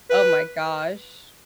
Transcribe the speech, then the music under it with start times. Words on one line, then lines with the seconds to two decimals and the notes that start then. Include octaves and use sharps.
oh my gosh.
0.10 B4